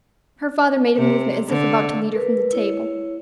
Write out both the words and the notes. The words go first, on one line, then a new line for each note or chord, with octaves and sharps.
Her father made a movement as if about to lead her from the table.
C3
D3
A#4 B4
E4 C#5